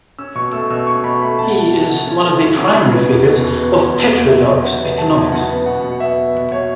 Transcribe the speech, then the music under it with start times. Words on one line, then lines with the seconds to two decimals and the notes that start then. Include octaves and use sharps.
He is one of the primary figures of heterodox economics.
0.19 C#4 E6
0.35 B2 C#6
0.53 A3 E6
0.70 B2 E6
0.87 C#4 C#6
1.04 B2 B5
1.21 A3 B5
1.39 B2 A5
1.50 F#5
1.56 A3 A5
1.73 F#2
1.90 C#3 F#5
2.06 C#4
2.23 A3 A5
2.41 F#2
2.58 C#3 F#5
2.75 C#4
2.92 B3
3.09 E2
3.26 B2
3.43 E2
3.60 B3
3.78 E2
3.94 B2
4.12 E2
4.29 F#3 E5
4.47 E2
4.63 C#3 F#5
4.80 B3
4.98 F#3 A5
5.15 E2
5.32 C#3 F#5
5.50 B3
5.66 B2 F#5
5.84 B2
5.92 F#5
6.00 B3 E5
6.18 B3
6.35 B2
6.51 B2 C#5